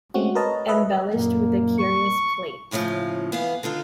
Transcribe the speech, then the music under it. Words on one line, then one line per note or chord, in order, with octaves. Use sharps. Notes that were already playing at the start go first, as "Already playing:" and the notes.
Embellished with a Curious Plate.
G#3 A3 C4 C#4 F#4
A#4 B4 C#5 D#5 A5 A#5
B4 D#5 E5
F#2 A#2 A#3
C#6
D#2 A2 C#3 E3 F3
E3 B3 F5
D3 D#3 F4 A4